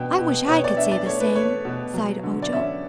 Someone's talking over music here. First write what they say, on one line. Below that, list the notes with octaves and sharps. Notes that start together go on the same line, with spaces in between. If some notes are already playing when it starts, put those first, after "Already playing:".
"I wish I could say the same," sighed Ojo.
Already playing: B2 D4 G5
B2
B2 C#5
D5
D4 E5
D5
A3 C#5
B4
A3 C#5
B2
F#3
D3
D5
C#4 E5